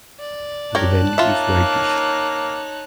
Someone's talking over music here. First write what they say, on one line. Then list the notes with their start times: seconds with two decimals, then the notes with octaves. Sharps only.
The belly is whitish.
0.20 D5
0.75 G4 A#4 C#5 A5 F#6
1.18 A#3 D#4 F4 C#5 E5